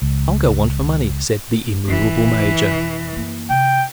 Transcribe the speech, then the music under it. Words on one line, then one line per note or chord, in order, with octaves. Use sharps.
"I'll go on for money," said the immovable major.
C#2
F1 F2 E3
E1 F2
F#2 A#3
C3 G5